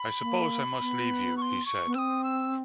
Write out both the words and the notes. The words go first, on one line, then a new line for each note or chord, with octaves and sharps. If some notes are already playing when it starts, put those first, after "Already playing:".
"I suppose I must leave you," he said.
Already playing: B5
A#3
B3
C#6
C6
C#6
B3
C4 D#6 E6
E6